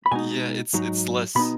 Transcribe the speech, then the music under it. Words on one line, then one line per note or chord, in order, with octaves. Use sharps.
Yeah, it's it's less
B5
B2 G#3 D#4 G#5
G#2 F#3 D#4
B2 B3 D#4 B5